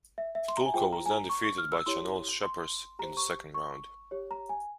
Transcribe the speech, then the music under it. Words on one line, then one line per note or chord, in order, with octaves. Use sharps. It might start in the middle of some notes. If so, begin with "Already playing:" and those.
Dulko was then defeated by Chanelle Scheepers in the second round.
E5
E5
C6
A#5
G#5
F4 G#4 C5 G5
A#5
G#5
A#5
C#6
C#6
F6
E6
E4 G4 C#5 C6
C6
G4 C5 A#5
C#6
C#6
G4 C#5
A#5
G#5